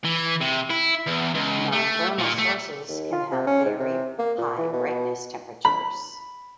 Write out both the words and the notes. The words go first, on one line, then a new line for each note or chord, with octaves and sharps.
Nonthermal sources can have very high brightness temperatures.
E3
C3
E4
E2
C#2
A3
A#2
A3
D#2
F4
C3
C#4
G#2
C3
A#3
A#2
E3
B2
B2
B5